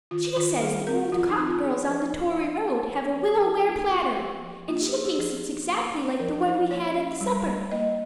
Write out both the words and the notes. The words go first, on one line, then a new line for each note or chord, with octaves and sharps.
She says the old Copp girls on the Tory Road have a willow-ware platter and she thinks it's exactly like the one we had at the supper.
D#3 F4
D#3 F4
G3 G#4
C4 A#4
F3 F4
D#4
C4
F4
C4 G#4
F3 C5
F3
C4
C4
F3
F3 C#5
G#4
F3 A#4
F4
A#3 D#4
C#4 F4
F3 G4
F3
A#3 F4
G4
C#4 G#4
G4
F3 G#4
F3
A#3
C#4
F3 A#4
F3 C5
A#3 C#5
C#4
G3
G3
A#3 D#5